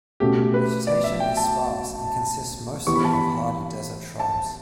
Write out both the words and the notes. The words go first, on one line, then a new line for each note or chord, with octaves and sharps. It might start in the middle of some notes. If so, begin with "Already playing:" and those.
Vegetation is sparse and consists mostly of hardy desert shrubs.
B2 A3 C#4 F#4 G4
B4
D5
E5
G5
A5
E3 B3 E4 G4 C#6
B5
A5
B5
A5